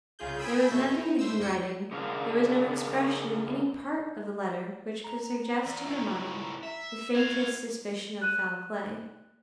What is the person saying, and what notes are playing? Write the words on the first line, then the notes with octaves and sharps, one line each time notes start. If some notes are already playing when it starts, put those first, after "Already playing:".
There was nothing in the handwriting, there was no expression in any part of the letter which could suggest to her mind the faintest suspicion of foul play.
C2 C#3 F4 G#4 G6
G5 G#5 B5 D#6 E6
F2 B2 C#4 A4 E5 G6
D#4
B2 C5 E6
F2 G#3 G5 G#6 C#7
C#3 F3 A#3 D4
A#5
E2
C#2 A2
E5
F#4 F5 G#6
F#6 D#7 E7